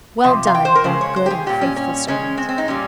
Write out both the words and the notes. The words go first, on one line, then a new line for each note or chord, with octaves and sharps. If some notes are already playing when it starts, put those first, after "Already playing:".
Well done, thou good and faithful servant!
C3 F3
F5
G5
C5
A#4
C#3 G#3 C5
C#5
C5
G4
G#4
A#2 G3 G4
C#4
C#4
C#3 G#3 C#4
C4
C4
D#4
A#2 G3 C#4